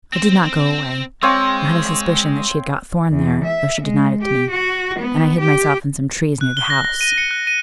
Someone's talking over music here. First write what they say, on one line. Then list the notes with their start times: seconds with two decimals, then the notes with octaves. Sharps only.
I did not go away; I had a suspicion that she had got Thorn there, though she denied it to me; and I hid myself in some trees near the house.
0.13 C4 C5
1.23 G#3 C4 C#5 F5
3.11 E2
3.45 E5
3.81 G#3
4.22 G4
4.51 F#4
4.99 B3
5.40 G4
6.41 F#6
6.57 G7
6.70 A#6
6.84 A#6
7.01 D#7
7.18 C#7
7.31 F#6
7.47 D#7